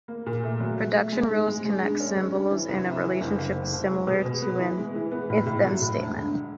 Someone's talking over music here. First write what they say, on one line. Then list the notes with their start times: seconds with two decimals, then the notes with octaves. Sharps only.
Production rules connect symbols in a relationship similar to an If-Then statement.
0.08 A#3
0.26 A#2
0.44 A3
0.60 F#3
0.78 A3
0.95 A3
1.12 G#3
1.30 G#2
1.47 G#3
1.65 G#3
1.83 G2
2.00 C#4
2.17 C#4
2.34 G2
2.51 E3
2.69 C2
2.86 C3
3.04 E3
3.21 F#1
3.38 F#1
3.56 F#1
3.73 F#1
3.90 G#3
4.07 B2
4.25 B2
4.42 B3
4.59 E3
4.77 G#3
4.95 E3
5.11 B3
5.30 A2
5.46 A2
5.64 F#3
5.82 A2
5.99 E1
6.16 D3